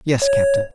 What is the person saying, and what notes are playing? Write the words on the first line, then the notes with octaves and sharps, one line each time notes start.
"Yes, captain."
C#5